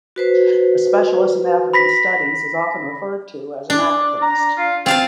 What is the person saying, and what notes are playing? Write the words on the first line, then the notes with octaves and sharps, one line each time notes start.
A specialist in African studies is often referred to as an "Africanist".
F#4 B4 C5
B5 A#6 B6
D4
A#5
F4
C4 F4 F5 A5